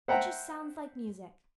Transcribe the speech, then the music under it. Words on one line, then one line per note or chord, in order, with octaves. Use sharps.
It just sounds like music.
C5 E5 F#5 G5 A5 A#5